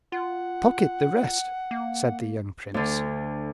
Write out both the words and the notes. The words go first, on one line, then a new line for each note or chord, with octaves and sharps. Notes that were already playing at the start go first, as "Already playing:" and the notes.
"Pocket the rest," said the young prince.
F4 F#5
A#3
D2 D3